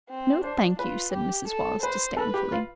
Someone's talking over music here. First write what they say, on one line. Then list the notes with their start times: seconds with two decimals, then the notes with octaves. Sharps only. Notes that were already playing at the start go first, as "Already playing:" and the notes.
"No, thank you," said Mrs. Wallace disdainfully.
0.10 C4
0.44 D4 C5
0.79 F4 B4
1.13 G4
1.48 A4
1.83 B4 C5
2.17 A4 B4
2.34 G4
2.52 F4